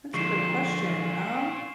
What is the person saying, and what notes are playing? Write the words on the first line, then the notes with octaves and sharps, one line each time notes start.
That's a good question. Um,
A#2 D3 F3 G#3 C#6 C7 E7